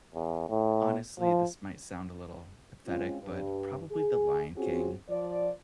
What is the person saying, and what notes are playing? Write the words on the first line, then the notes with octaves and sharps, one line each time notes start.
Honestly, this might sound a little pathetic, but probably the Lion King.
E2
A2
F3
G#3 C4 C#4 F4
G2
G#4
C4 C#4 F4 F#4 G#4
F3 D5